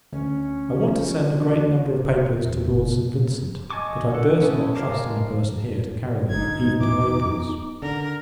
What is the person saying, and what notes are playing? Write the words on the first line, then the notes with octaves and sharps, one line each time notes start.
I want to send a great number of papers to Lord St. Vincent; but I durst not trust any person here to carry them, even to Naples.
D2 C#4
F3
D4 F#4
E1
F#1
B2
D#5 G#5 A5 C#6 D6
D3 A4 F#5
C#4 E4 G#4 A4
G#3 A#4 F5 A5 D6
G#1 D2 G#2 D#4 G#6
E2 E3 D6
D3 A#4